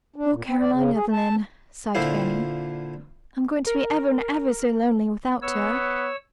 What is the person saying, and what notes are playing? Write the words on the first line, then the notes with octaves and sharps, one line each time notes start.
"Poor Caroline Evelyn," sighed Fanny, "I'm going to be ever and ever so lonely without her."
D4
A#2
C4
D5
C#3
G#4
A5
A#2 D3 E4 F4 C5
A#4
B3 C#5 E6